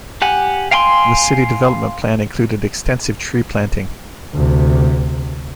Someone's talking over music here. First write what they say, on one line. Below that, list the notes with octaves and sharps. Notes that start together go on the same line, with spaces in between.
The city development plan included extensive tree planting.
G4 F#5 G#5
F5 G5 G#5 B5 C6
D2 C3